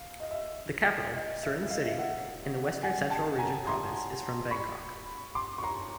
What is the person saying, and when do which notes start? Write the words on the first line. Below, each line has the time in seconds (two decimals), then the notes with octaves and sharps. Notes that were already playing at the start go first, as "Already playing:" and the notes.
The capital, Surin city, in the western central region province is from Bangkok.
Already playing: F5
0.20 D#5
0.31 E5
1.15 D#5
1.43 E5
1.63 E5
1.70 D#5 F5
1.84 E5
1.92 F5
1.98 E5 F#5
2.83 F#5 G#5
3.10 G5 A5
3.38 G#5 A#5
3.67 A#5 C6
4.51 B5 C#6
5.35 C6 D6
5.58 C#6
5.63 A#5 C6